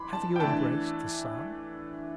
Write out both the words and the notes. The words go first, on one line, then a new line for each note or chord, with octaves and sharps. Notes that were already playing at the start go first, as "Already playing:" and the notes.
Have you embraced the Son?
Already playing: E3 B5 C6 D6
A5
G5
E3 A3 D4 A5